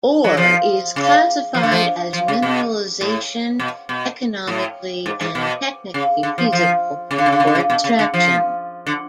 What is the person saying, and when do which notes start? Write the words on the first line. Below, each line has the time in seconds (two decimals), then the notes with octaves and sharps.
Ore is classified as mineralization economically and technically feasible for extraction.
0.24 F#3
0.37 F3
0.96 C#3
1.54 F3
1.63 D3
1.72 F3
2.13 F3
2.28 C#3
2.42 B2
3.01 A2
3.60 B2
3.89 B2
4.47 A2
5.06 G#2
5.21 G#2
5.35 B2
5.94 C#3
6.23 D3
6.38 F3
6.53 F3
7.11 C#3
7.18 D3
7.26 C#3
7.33 D3
7.40 C#3
7.47 D3
7.55 C#3
7.70 B2
7.84 C#3
7.99 D3
8.14 F3
8.86 D3